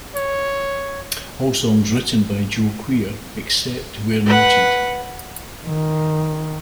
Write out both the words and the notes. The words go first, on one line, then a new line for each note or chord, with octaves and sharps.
All songs written by Joe Queer, except where noted.
C#5
B4 F#5
D#3